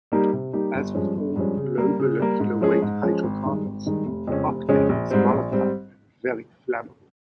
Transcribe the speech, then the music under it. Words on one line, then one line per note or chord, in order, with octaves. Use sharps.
As with all low-molecular-weight hydrocarbons, octane is volatile and very flammable.
G3 A#3 D#4 G4
C3
G3 A#3 D#4 G4
G1
G2 F3 G#3 C#4
G1
G2 F3 G#3 C#4
C#3
G3 A#3
C#3
G3 A#3
G#2
F3 G#3 C#4 G#4
G#2
F3 G#3 C#4 G#4
G#1
G2 D#3 G#3
G#1
G2 D#3 G#3
F1
F2 C#3 G#3 C#4
F1
F2 C#3 G#3 C#4
A#1
G#2 G3 C4
A#1
G#2 G3 C4